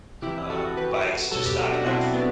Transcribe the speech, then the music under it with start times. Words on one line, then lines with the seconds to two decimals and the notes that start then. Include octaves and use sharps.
uh, bikes just not enough.
0.22 C3 E3 E4 G4
0.50 F#4 A4
0.77 C3 E3 G4 B4
1.31 B2 F#3 F#4 A4
1.45 G4 B4
1.59 F#4 A4
1.73 D4 F#4
1.86 B2 F#3 C4 E4
2.13 B3 D4